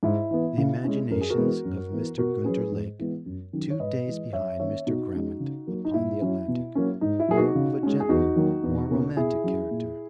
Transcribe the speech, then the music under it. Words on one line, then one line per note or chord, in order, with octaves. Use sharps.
The imaginations of Mr. Gunter Lake, two days behind Mr. Grammont upon the Atlantic, were of a gentler, more romantic character.
G#2 E4
E3 B3
C#3
G#3 C#4
F#2 A#4
G#4
F#4 A#4
E3 G#3 B3
F#2
E3 B3
B2 F#4 A#4
F#3 C#4 G#4 B4
G#2
E3 G#3 B3
F#2
D#3 F#3 C#4
C#5
G#2 B4 D#5
E3 G#3
F#2 C#5 E5
D#3 A#3 C#4 C#5 E5
B2 D#4 F#4
G#3 C#4
C#3
F#3 A#3
D#4
A#2 E4
F#3 C#4
B2
F#3 A#3 C#4
G#2 D#4
E4
F#3 A#3 G#4
D#4 F#4
C#3
G#3 C#4
G#4
E2 D#4 F#4
D#3 F#3 A#3
E2
B2 A#3 C#4
B2 E4 G#4
F#3 C#4
A#2